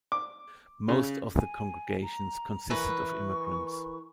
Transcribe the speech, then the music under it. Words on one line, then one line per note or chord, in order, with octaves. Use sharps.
Most of the congregations consisted of immigrants.
D6
C#3
G#5
A#5
E3 A#4 B4 C#6